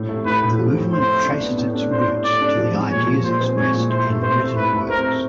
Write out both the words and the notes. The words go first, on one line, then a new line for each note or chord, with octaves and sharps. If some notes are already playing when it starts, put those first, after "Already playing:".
The movement traces its roots to the ideas expressed in written works.
Already playing: A2
A3
A2 B4
A2
F3
A2
A2 C5
A3
D4
B3
A2
D4
D4 C5
A2
A2 D5
D4
F3
G#3
A#2 C#5
F3
A#2 C5
C4
G#3 C#5
A#2
E4 C5
A3
C4 C5
A3
E4 B4
A3
C4 A#4
A3